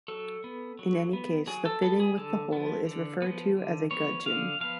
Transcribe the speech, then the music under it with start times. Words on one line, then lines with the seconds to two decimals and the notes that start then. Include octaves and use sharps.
In any case, the fitting with the hole is referred to as a gudgeon.
0.08 F#3 A4
0.44 B3
0.79 F#3
1.13 B3
1.47 F#3 G#4
1.66 A4
1.82 B3 A4
2.00 G#4
2.17 D3 A4
2.52 F3 B3
2.87 D3
3.22 F3 B3
3.57 D3
3.91 F3 B3 C#5
4.26 D3 F5
4.60 F3 B3 F5